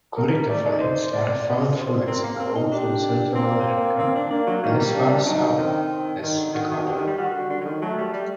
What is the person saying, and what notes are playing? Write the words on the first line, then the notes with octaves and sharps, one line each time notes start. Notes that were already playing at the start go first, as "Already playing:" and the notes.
Corytophanids are found from Mexico, through Central America, and as far south as Ecuador.
F#3 A#4
G3
A3 D5
D#4
C5
D5
C4
D5
C5
C4 A#4
A#3
C4
D#4
D4 G4
A#3 C4
C4
D4
A#3 D4
F#3
D#3 A#3
G3
D4
F#3 D#4
D3
D#3 C4
D#3 D#4
D3
D#3 F#4
D#3
D3 G4
D#3
G3
G3 F#4
D3
D3
F#3
D#3
F#3 A3
G3
G3